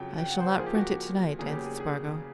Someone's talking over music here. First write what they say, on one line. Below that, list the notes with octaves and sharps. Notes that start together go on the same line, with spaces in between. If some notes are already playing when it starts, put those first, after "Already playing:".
"I shall not print it tonight," answered Spargo.
Already playing: F2 C#3 F#3 G5
G5
F#5
C5
A#2 F3 A#3 G#4
G4
F#4
G4
E2 C#3 F#3 A#3 G#4
G4
G#4
G#4